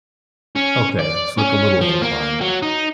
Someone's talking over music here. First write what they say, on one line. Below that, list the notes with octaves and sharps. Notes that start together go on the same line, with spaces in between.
Okay. It's like a little incline.
C#4
D5
C#4
F3
A#3
F#3
D#4